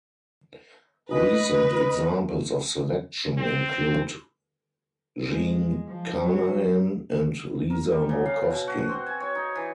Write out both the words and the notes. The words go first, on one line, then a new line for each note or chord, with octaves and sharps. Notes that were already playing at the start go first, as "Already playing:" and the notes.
Recent examples of selection include Jean Carnahan and Lisa Murkowski.
B4 D#5
C4
G#3
F3
F#3
A#4
G3
C#3
F5
B2
F#4
C4
G#5
C#5
D#4
E3